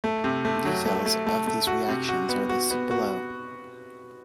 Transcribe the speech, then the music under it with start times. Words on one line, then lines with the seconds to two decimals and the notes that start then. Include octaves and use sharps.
Details of these reactions are listed below.
0.04 A3
0.24 C3
0.45 A3
0.65 F#3
0.85 A3
1.06 A3
1.27 A3
1.47 A3
1.67 F#4
1.88 C3
2.09 F#4
2.29 B3
2.49 F#4
2.71 B3
2.91 F#4